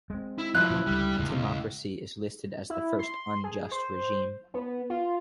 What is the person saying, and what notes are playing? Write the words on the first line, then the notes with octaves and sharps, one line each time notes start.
Timocracy is listed as the first "unjust" regime.
G#3 C4
E4
F3 F#3 E4 F#6
A#2 C#3 E3
C#2 D3 G3
E1 C#2 A2 G#3
E4
C6
G#4
C5
B3
F4